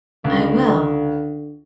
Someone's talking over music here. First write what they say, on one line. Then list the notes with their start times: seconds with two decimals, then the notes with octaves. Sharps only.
I will.
0.24 C#2 D3